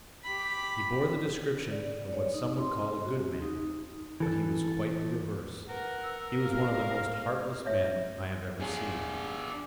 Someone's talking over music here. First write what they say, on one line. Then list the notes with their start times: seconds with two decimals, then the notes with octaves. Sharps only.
He bore the description of what some would call a good man, but he was quite the reverse; he was one of the most heartless men I have ever seen.
0.24 G4 B5
1.71 D5
2.13 C#5
2.34 D#4
2.59 C6
3.05 F#4
3.42 D#4
4.20 E3 A4
5.69 A#4 B4 F#5
6.02 E6
6.44 F5 F6
7.66 C#5 E5
8.60 D4 G#4